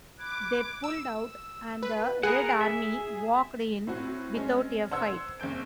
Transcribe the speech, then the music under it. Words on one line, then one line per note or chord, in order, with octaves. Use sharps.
They pulled out and the Red Army walked in without a fight.
B5 D6 F#6 G#6
E6
B4
G#4 A#4 B4 F#5
E5
A2 C4 F#4
G#3 C4 C#4
C5 F#5 E6 G#6
F#1 C4 G6 D7